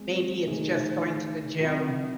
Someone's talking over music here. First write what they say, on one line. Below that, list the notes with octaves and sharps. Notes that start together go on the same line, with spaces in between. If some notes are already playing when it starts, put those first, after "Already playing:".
Maybe it's just going to the gym
Already playing: G#3 C4
D#3 A3 D#4 G#4
F#3 C4 E4